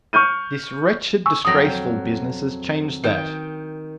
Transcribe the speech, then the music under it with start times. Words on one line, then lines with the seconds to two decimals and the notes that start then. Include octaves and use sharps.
This wretched, disgraceful business has changed that.
0.13 C#6 F6 G6 D#7
1.26 G#5 C#6 E6
1.45 F2 F#3 G5 D#6 A#6
3.04 D#3 G5